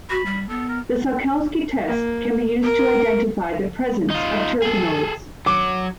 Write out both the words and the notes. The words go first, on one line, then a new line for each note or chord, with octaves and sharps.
The Salkowski test can be used to identify the presence of terpenoids.
F#4 B5
G3
B3 A4
A#4
A#3
A#4
D#4 F4
G#4 A4
F#3 D6